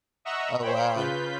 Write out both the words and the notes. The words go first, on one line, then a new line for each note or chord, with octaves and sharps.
Oh wow.
D#5 E5 F#5 A#5 C#6 E6
C5 C#5 G5 B5
C#3 F4 B4 G6 B6